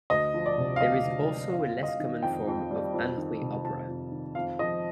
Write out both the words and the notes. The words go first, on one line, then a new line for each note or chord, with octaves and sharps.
There is also a less common form of Anhui opera.
D2 D#5
F3
D5
C3
F5
D2 D#5
D2
F3
F2 F5
G3
D#5
F5
D#3
F2 G5
F2
G3
F2
D#3
C3
F2 A5
F2
D#3
F2 F5
F3 D#5